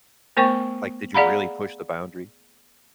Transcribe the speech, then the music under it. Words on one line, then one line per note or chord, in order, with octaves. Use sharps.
Like, did you really push the boundary?
A3 B3 A#4 C5 G5 C#6
G#4 D5 F5 F#5 A#5 B5